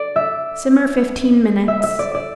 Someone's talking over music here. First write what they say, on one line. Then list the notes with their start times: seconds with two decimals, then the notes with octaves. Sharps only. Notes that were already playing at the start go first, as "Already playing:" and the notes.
Simmer fifteen minutes.
Already playing: D5
0.16 E5
1.68 E5
1.83 E5
1.99 D5
2.15 D5